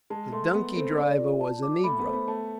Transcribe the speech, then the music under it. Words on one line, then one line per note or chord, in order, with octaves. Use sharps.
The donkey-driver was a negro.
G#3 A5
A3 C6
B3 B5
C4 A4
D5
F4
A5
D6
A3 B5
B3
A3 C5
B3
A3 A5